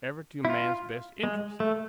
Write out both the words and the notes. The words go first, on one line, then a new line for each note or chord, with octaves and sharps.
Ever to man's best interests?
E4
F4
G#3
A3